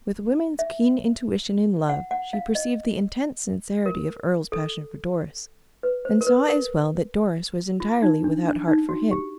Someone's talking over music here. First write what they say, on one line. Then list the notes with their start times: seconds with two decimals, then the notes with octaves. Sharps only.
With woman's keen intuition in love, she perceived the intense sincerity of Earle's passion for Doris, and saw as well that Doris was entirely without heart for him.
0.59 E5
1.89 F#5
2.11 F#5
2.33 F5
2.55 D#5
3.86 A#4
4.52 A4
5.83 B4
6.05 C5
6.21 A#4
6.27 B4
6.49 A#4
7.80 F4
8.02 D#4
8.24 D4
8.46 D4
8.68 D#4
8.89 F#4
9.11 G4